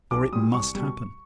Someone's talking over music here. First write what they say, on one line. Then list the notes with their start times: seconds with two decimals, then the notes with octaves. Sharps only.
For it MUST happen.
0.11 B1 D6
0.32 A#2 G3 D#6
0.54 C2 C#6
0.75 B2 G3